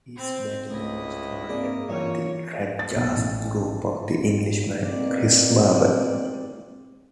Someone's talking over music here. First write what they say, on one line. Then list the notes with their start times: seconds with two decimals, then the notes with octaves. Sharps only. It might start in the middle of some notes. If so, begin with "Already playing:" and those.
His backing was provided by the trad jazz group of the Englishman Chris Barber.
0.16 C4 C5
0.70 C#2 A3 E4 D#5
1.48 A#3 C4 G#4 D5
1.90 E3 F4 C#5
2.79 A6
2.96 B1
3.14 A1
4.82 B2 A#3 C4 D5